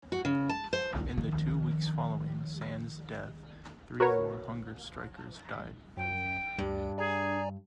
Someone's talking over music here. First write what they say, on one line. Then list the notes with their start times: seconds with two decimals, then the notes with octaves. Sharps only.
In the two weeks following Sands' death, three more hunger strikers died.
0.12 F#4
0.25 C#3
0.49 A5
0.73 C5
1.17 D#3 F3
4.00 F#4 A#4 B4 C#5
5.97 F#2 G5
6.59 D2 G2 D4
6.98 G#4 D5 G#5 A#5